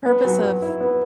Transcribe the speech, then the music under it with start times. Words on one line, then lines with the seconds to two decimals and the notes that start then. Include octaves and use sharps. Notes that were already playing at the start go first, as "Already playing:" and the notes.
purpose of
0.06 B3
0.25 F#3
0.43 F#3
0.62 E4
0.81 B3